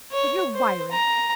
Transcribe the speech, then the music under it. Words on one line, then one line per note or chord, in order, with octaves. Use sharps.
But you're wiry.
C#5
C5
A#5